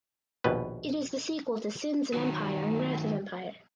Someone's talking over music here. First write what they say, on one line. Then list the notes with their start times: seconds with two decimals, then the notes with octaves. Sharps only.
It is the sequel to "Sins of Empire" and "Wrath of Empire".
0.44 A#1 D#2 B2 B4
2.14 D#3 F#3